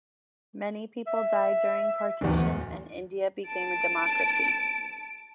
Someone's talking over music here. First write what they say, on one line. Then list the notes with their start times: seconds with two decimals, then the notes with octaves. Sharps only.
Many people died during partition and India became a democracy.
1.07 E5
2.21 D1 E2
3.46 A5 D7